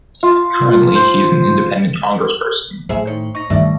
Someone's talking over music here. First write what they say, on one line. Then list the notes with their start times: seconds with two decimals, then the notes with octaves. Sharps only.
Currently, he is an independent congressperson.
0.23 F4
0.68 F4
0.95 C5
2.89 A2 F#3 G#4 C5 E5
3.07 D#3 C#5
3.35 D#4 C#6 A#6
3.50 G2 C3 D#3 A3 D5 E5